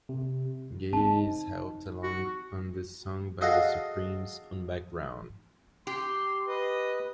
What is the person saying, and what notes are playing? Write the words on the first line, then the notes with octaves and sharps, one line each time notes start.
Gaye is helped along on this song by The Supremes on background.
C3
C4 D#4 A5
F#4
F#4 G#4 A4 D#5 F5 F#5
G4 C6
B4 D#5